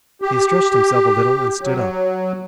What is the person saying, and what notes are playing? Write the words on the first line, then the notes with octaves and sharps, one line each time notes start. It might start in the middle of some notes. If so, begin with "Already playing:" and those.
He stretched himself a little and stood up.
G4
F#3